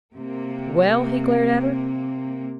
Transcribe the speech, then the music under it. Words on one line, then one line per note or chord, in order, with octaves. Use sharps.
"Well?" he glared at her.
C3 A#3